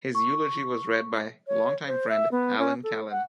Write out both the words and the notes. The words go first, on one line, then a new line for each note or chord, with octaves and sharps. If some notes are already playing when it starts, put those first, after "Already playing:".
His eulogy was read by longtime friend Alan Callan.
C#6
C#5
C5
E5
B3
C#4
A4
F#5